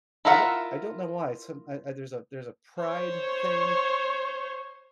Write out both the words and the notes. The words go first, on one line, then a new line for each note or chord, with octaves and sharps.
I d I don't know why, it's some I I there's a there's a pride thing
E4 F4 A#4 E5 F#5
C5 C#5